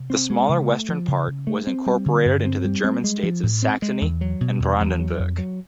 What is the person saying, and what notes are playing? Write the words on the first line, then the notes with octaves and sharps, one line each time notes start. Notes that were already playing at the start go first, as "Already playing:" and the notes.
The smaller western part was incorporated into the German states of Saxony and Brandenburg.
Already playing: C3
C4
G#3
C#3
A3
F3
C#3
C#3
A3
C4
G3
D3
G2
C4
G3
C4
G#3
F3
A2
C4
G#3
E2
F#3
B2
E2
E2
F#3
F2
F#3